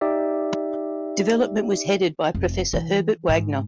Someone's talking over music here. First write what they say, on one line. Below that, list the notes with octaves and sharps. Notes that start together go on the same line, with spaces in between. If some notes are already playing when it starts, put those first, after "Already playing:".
Development was headed by Professor Herbert Wagner.
D#4 G4 D5 E5
F1
E3
G#2